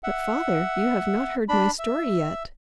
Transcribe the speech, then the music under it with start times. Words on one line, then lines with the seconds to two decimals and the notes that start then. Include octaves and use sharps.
"But, father, you have not heard my story yet."
0.04 E5 F#5
1.49 D4 B5
1.79 E5